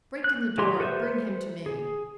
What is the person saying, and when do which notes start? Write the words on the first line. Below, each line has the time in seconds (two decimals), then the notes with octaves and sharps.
'Break in the door, and bring him to me!'
0.24 F#6
0.58 E3 F#3 G4 C6
0.80 A4 B4 C5 E5
1.66 G#4